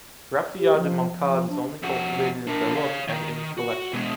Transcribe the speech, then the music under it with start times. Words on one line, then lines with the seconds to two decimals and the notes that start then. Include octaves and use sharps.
Raffiat de Moncade is only cultivated in Bellocq and in collection.
0.59 G4
0.77 F3
1.17 F3
1.49 D4
1.83 F2 F#4
2.47 D4 A#4
2.75 C#5 F5
3.08 D#3
3.58 F#4
3.93 B2 G#3